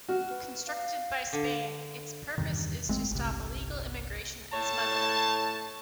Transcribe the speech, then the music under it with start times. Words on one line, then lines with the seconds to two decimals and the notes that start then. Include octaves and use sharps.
Constructed by Spain, its purpose is to stop illegal immigration and smuggling.
0.09 F#4 F6
0.31 B4
0.67 F5
1.33 D3
2.38 E2 G2 C3 D#3
2.89 G1 G#3 A3 C4
3.11 G1 C2 C3
4.53 A2 C#5 A5